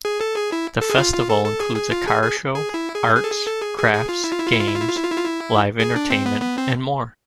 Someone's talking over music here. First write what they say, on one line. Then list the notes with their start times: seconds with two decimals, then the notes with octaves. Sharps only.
The festival includes a car show, arts, crafts, games, live entertainment and more.
0.05 G#4
0.21 A4
0.36 G#4
0.52 E4
0.81 A4
0.90 G#4
0.98 F4
1.14 F4
1.30 A4
1.45 A4
1.60 G#4
1.76 G#4
1.91 F4
2.07 G#4
2.22 G#4
2.54 G#4
2.74 E4
2.95 G#4
3.15 G#4
3.24 A4
3.31 G#4
3.47 A4
3.62 G#4
3.78 G#4
3.93 G#4
4.09 F4
4.24 E4
4.32 F4
4.39 E4
4.46 F4
4.53 E4
4.60 F4
4.68 E4
4.75 F4
4.82 E4
4.89 F4
4.97 E4
5.03 F4
5.11 E4
5.18 F4
5.25 E4
5.80 G#4
5.96 D4
6.10 C4
6.26 B3
6.42 B3
6.58 C4